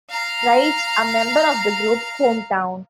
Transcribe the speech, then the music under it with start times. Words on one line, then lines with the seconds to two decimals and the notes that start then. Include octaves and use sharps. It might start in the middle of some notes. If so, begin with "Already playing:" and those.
Wright's, a member of the group, hometown.
0.10 F5 A#5